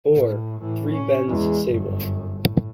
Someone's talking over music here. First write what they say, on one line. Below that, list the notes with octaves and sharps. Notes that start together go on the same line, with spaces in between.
Or, three Bends Sable.
A2
A2 E3
C#4
E2 G#3
G1 F#2
A2